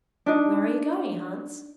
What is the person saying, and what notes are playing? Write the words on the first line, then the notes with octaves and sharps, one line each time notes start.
'Where are you going, Hans?'
D4 D#4